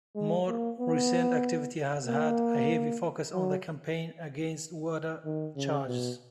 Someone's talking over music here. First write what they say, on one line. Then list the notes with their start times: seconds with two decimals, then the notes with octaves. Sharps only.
More recent activity has had a heavy focus on the campaign against water charges.
0.15 G#3
0.48 A#3
0.80 B3
2.07 A#3
3.33 F#3
5.25 D#3
5.56 C#3
5.88 B2